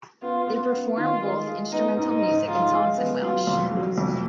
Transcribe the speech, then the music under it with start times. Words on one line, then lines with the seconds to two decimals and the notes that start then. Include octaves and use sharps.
They perform both instrumental music and songs in Welsh.
0.22 B3 F4
0.47 B3
0.72 B3
0.97 D#3 F4
1.22 G#3
1.47 G#3
1.72 B3 D#4
1.97 G#2
2.10 D#4
2.23 G#2
2.47 G#3 F4
2.72 G#3
2.97 B3
3.22 F#3 F4
3.47 F2
3.72 F#3
3.98 F2